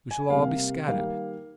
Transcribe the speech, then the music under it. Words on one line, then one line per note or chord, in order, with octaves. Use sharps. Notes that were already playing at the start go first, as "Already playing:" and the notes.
We shall all be scattered.
G#5
C3 G3 A#3 F5
D#3 G3 A#3 F5